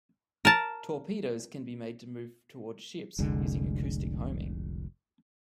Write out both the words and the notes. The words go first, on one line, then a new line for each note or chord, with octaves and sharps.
Torpedoes can be made to move toward ships using acoustic homing.
A#4 A5
F1 C2 D3 G#3